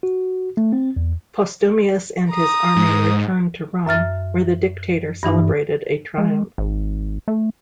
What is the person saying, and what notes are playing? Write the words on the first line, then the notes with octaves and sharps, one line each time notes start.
Postumius and his army returned to Rome, where the dictator celebrated a triumph.
F#4
A3
C4
E2
A#5 D#6
G#2
F#2 E5 F6 A6
G2 E3 D#4
G#3
G#1
A3